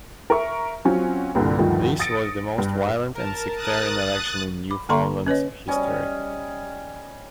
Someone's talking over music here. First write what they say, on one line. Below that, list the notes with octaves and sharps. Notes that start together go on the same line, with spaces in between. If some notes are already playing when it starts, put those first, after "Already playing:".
This was the most violent and sectarian election in Newfoundland's history.
A#4 E5 C#6
F#3 C4 C#4 F4
C2 G2 A#2 D3
D2 G2 D#3 F3
D#6 A6 A#6 C#7 D7
G2
A#4 A5
D#6 F#6 A6
B5 D6
D3 A#3 A4 A#5 C6 C#6
C#4 B4 C#5 D#5
G3 C#4 D#5